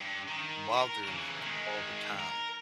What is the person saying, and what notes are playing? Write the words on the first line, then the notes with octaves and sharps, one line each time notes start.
bothering us all the time
G2
D#3
A#4
C#3 E3
D#3 G#3
A#4